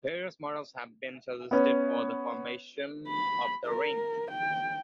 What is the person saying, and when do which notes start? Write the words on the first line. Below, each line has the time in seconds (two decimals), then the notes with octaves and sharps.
Various models have been suggested for the formation of the ring.
1.51 B3 C#4
3.08 B5
3.66 A#4
4.31 G5